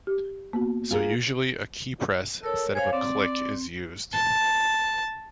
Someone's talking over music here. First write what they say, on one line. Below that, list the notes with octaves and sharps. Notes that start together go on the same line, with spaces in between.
So usually a keypress instead of a click is used.
G4
A#3 B3 F#4
F4 G#4 A#4
A4 A#4 C#5
C5 C#5 F5 G#5
C4 D5
A5